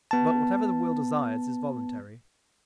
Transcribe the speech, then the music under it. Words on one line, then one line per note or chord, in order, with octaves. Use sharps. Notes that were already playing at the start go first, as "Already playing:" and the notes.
But whatever the will desires is voluntary.
B3 A5